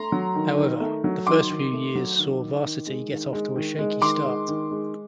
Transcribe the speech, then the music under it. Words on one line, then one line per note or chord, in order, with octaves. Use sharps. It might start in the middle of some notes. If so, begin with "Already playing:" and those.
However, the first few years saw "Varsity" get off to a shaky start.
Already playing: A3 A#5 C6
F#3
D#3
D#3
A3
F#3
D#3 C6 D6
D#3
A3
F#3
D#3
D#3
D#3
G#3
D#3
G#3
D#3
G#3
D#3 C6 D6
G#3
D#3
G#3